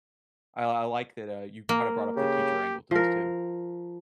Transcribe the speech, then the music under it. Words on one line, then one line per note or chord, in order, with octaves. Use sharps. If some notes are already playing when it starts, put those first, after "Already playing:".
I I like that, uh, you b kinda brought up the teacher angle to this, too.
A#3
C#3 G4
F3 A#4